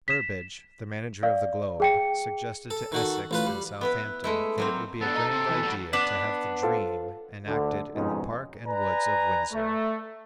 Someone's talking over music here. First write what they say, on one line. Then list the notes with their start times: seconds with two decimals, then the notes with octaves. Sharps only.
Burbage, the manager of the Globe, suggested to Essex and Southampton that it would be a grand idea to have the "Dream" enacted in the park and woods of Windsor!
0.08 B6 E7
1.23 D5 F5
1.80 G#4 G5 C#7
2.70 A4
2.92 D#3 F#4 A4
3.31 A1 F4 B4
3.47 G3
3.81 B3 E4 B4
4.24 G#3 A3 E4
4.58 F#3 A#3 C4
5.01 B3 D4 A4
5.14 D#5 A#5
5.31 C3
5.49 E3 B3
5.63 G3 F#4
5.93 B3 D4 B4
6.62 F4 A4 C5
7.46 D2 D3
7.94 F2 G#2 B2 G#3 C#4 D#4
8.67 B4 D5 G#5 A#5
9.53 A3